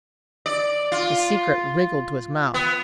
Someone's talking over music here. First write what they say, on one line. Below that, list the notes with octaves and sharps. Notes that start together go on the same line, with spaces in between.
The secret wriggled to his mouth.
D5
F4
B3